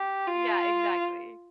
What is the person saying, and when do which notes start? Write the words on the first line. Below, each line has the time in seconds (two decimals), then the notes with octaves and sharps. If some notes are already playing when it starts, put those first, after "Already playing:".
Yeah, exactly.
Already playing: G4
0.27 F4